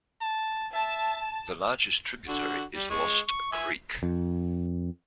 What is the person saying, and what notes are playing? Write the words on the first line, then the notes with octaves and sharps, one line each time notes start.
The largest tributary is Lost Creek.
A5
E5 A5
D3 F#4
G3
G#3 C#6
C#6
E5 G#5
F2